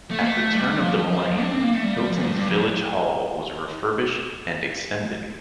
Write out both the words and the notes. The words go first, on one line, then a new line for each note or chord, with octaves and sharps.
At the turn of the Millennium, Hilton's village hall was refurbished and extended.
A3
A#3
A3
G3
F3
D4
C4
A#3
A3
G3
G3
F3
G2
G2
F2